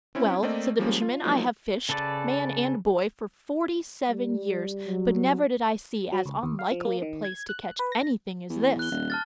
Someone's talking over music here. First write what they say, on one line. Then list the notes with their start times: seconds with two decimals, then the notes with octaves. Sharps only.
"Well," said the fisherman, "I have fished, man and boy, for forty-seven years, but never did I see as unlikely a place to catch anything as this."
0.15 C4 C#4 E4
0.43 A3 A#3 C4 D5 D#5
0.79 F3 G3 G#3 A#3 C#4
1.02 F4
1.24 F3 F#3 G#3 A#3 D#4
1.89 C#3 A4 B4 D5
4.09 G3
4.87 F#3
6.12 F#3
6.26 C#2
6.43 D#2
6.59 F5
6.71 F3
6.85 A#3
7.02 D#3
7.24 G#6
7.49 F#6
7.79 B4
7.92 A#6
8.49 E2
8.79 F#6 G7
8.91 D#1
9.10 A5 F6 A6